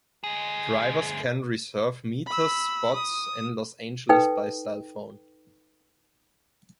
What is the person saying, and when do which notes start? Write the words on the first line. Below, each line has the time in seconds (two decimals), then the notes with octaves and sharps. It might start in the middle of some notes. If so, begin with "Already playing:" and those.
Drivers can reserve meters spots in Los Angeles by cellphone.
0.24 D2 G#4
2.27 B5 E6
2.94 D#6
4.09 D#4 A4 B4 G5